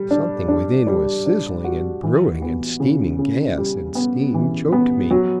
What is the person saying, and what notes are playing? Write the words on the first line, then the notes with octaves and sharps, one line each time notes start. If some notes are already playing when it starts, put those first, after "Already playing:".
Something within was sizzling and brewing and steaming; gas and steam choked me.
Already playing: G3
D4
D4
G3
D4
F#4
E3
B3
C#3
C#3
G3
B3
E3
B3
F#3